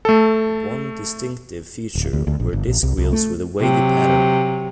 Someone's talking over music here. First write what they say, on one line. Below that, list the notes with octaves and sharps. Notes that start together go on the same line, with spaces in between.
One distinctive feature were disc wheels with a wavy pattern.
A3 A4
D1
D2
D2
A#1
G1
A#1
C2
C2
A3
C3 F#3